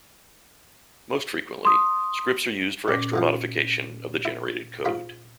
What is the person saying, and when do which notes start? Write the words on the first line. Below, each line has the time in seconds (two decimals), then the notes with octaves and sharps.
Most frequently scripts are used for extra modification of the generated code.
1.65 C6 D#6
2.88 A#2 G3 C#4 A#6
3.13 A2 E3 F3
4.25 E4
4.85 G#2 F4 B5